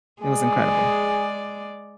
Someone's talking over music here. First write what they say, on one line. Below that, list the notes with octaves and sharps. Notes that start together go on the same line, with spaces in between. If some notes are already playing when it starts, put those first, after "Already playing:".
It was incredible.
G#3 G#4 D5